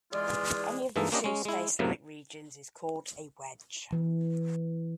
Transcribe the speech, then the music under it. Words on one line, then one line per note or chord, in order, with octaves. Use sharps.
Any of the two spacelike regions is called a wedge.
E3 G#3 F4 D5
G2 E3 G#3 A#3 D#4 A4
A#3 C#4 D4 G4 D#5
G#3 C#4
G#3 E4
F#2 A2 C3 F#3 A#3 B3
E3